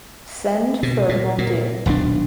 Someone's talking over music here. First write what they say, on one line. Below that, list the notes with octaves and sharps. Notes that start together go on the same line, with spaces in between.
Send for Muldoon!
B2
A#2
A#2
D#1 B1 C3 D4